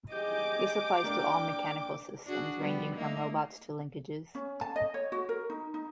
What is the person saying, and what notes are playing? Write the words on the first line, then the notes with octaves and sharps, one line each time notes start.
This applies to all mechanical systems ranging from robots to linkages.
G4 G#4 D#5 D6
A#3 D4 G5
D4 F#4 G#4
F3 G3 B3
A3 A#3 D#4
C#4
A5
D#5
C#5
F#4
A#4
D#4
D#4